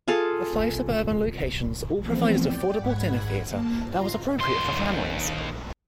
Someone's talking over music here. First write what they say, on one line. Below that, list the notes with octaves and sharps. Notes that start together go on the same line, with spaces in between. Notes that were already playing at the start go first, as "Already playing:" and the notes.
The five suburban locations all provided affordable dinner theatre that was appropriate for families.
F4 G#4 A4 F5
E3 F3 A3 B3 C4
D5 G5
G#2 F#5 B5 G#6
A#3 A5
F4 A#5 C6
D#2 C6